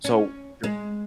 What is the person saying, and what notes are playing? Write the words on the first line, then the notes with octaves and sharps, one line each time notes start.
So the
C#4
G#3